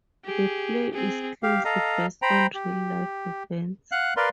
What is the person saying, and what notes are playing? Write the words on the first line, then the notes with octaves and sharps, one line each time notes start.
The play is closely based on real-life events.
G4 G#4
C4 G#4
G4 F5
A4 D#5 F5 A#5
C5 G5 A#5 B5
G4
F5 F#5 F#6
A#4 B4 D5 F5 C6